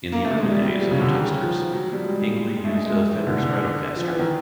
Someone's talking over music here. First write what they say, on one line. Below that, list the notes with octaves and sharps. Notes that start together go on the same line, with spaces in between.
In the early days of The Toasters, Hingley also used a Fender Stratocaster.
A#3
A3
G#3
G3
F#3
G3
F3
C#3
D3
D#3
F3
F3
F#3
G3
G#3
G#3
A3
G#3
G#3
F#3
E3
D3
D3
F3
E3
D#3